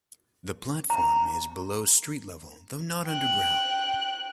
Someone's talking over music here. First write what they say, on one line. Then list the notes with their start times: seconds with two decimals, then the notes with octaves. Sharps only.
The platform is below street level, though not underground.
0.90 A#5
3.07 G5 F#6